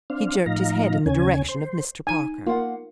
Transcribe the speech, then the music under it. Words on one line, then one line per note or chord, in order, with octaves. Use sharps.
He jerked his head in the direction of Mr. Parker.
C4 D4 F5
A2 F3 D#4 F5 A#5
D#2 C#3 C#4 G#5
C5
D#4 G#5 A#5
A#3 F4 A#4 F5 F#5